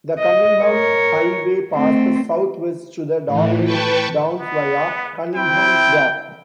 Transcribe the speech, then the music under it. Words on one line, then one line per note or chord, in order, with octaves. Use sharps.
The Cunningham Highway passes southwest to the Darling Downs via Cunninghams Gap.
D#5
A#4 C#5
A3 C4
A2 E3
B4 G5 A5 C#6
B3
C4 E4 G5